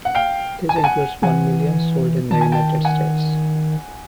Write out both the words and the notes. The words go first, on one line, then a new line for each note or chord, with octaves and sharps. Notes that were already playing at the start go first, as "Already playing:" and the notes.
This includes one million sold in the United States.
F#5
F5 G5
G#5
A5
F#5 G#5
E3 F#5 G#5
D#3 A5
G#5
G5 A5
F#5 G#5